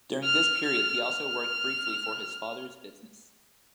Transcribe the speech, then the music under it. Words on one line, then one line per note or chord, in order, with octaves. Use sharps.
During this period, he also worked briefly for his father's business.
F6
F6
F6